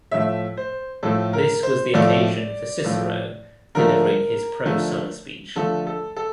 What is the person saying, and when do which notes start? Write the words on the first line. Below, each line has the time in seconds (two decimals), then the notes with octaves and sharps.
This was the occasion for Cicero delivering his Pro Sulla speech.
0.12 A2 F3 A3 E5
0.57 C5
1.03 A2 F3 A3 A4
1.33 A#4
1.63 C5
1.94 A2 F3 A3 D5
2.84 A2 F3 A3
3.75 D3 F3 A3 A#4
4.65 D3 F3 A3
5.55 D3 F3 A3 A4
5.87 A4
6.16 A4